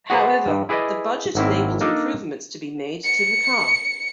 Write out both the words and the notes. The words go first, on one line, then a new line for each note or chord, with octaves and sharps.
However, the budget enabled improvements to be made to the car.
F#4 G#4 B4 C5 D5
G2
E4 G#4 B4 D5 D#5
G#1 F#3 A#3 C4 E4
A#3 D4 D#4 A4 D5 D#5
C#7